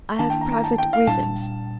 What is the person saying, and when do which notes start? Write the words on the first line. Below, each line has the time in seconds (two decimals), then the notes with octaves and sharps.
"I have private reasons."
0.19 D#3 A#3 D4 A5
0.30 G5
0.41 A#5
0.52 A#5
0.64 A5
0.78 G5
0.93 F5
1.07 A#2 G3 D4 A5